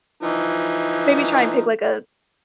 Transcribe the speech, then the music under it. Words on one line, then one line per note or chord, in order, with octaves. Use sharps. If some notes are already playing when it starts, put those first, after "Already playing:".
maybe try and pick, like, a
E3 F3 D#4